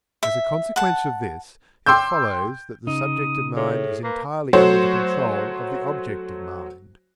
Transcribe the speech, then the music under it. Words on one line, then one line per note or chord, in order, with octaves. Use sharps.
As a consequence of this it follows that the subjective mind is entirely under the control of the objective mind.
E5
F#5 A5
G5 C6 D6 E6 G6
C#3 D#4 D#6
A2 G#4
A#3 B4
F#3 A3 F#4 C5 C#5